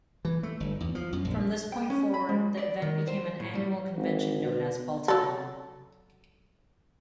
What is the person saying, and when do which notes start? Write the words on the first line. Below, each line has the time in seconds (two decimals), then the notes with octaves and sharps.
From this point forward, the event became an annual convention known as Balticon.
0.25 E3
0.43 A3
0.60 G1
0.80 E2
0.95 F3
1.13 F#2
1.25 A#1
1.72 G5
1.90 C#4
2.14 B5
2.29 G#3
2.57 D5
2.82 D#3
3.08 C5
3.40 A2
3.55 G3
3.97 G#1
4.45 B2
5.08 F#3 A4